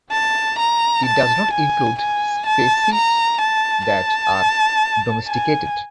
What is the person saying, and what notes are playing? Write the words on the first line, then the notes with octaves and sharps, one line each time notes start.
It does not include species that are domesticated.
A5
A#5
A5
G#5
G#5
A5
A#5
A5
A5
G#5